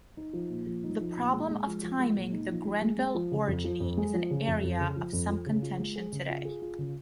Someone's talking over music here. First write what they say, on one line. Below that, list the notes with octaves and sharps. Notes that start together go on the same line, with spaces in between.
The problem of timing the Grenville orogeny is an area of some contention today.
D#4
F3
A#2
F3
D#4
F3
A#2
G#3
G#3
F3
F3
G#3
A#2
D#4
F3
G#3
G#3
G#3
F3
C#3
F2
F3
F2
G#3
F3
C#3
F2
F2
C#3
F3
F2
F3
C#3
F4
G#3
G#4
C#3
F4
G#4
F4
C#3